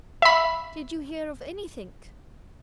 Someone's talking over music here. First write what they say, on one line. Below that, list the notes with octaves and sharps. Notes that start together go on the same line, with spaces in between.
"Did you hear of anythink?"
E5 B5